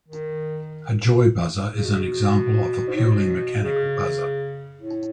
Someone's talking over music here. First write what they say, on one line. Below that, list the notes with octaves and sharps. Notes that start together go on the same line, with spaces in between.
A joy buzzer is an example of a purely mechanical buzzer.
D#3
C#3
B2
G#2
A2
B2
C#3
A2